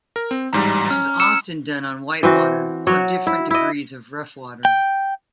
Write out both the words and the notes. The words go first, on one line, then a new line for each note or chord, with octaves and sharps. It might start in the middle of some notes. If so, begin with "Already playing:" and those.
This is often done on whitewater or different degrees of rough water.
A#4
C4
A1 G#2 G3 A#5
C#4 F6
E6 C#7 E7
E3 C4 F#4
F#3 F#4 C#5
E4
E4 D#5
G5